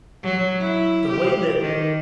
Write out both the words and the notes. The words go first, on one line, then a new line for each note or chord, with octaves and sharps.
the way that
F#3
E4
G4
D#3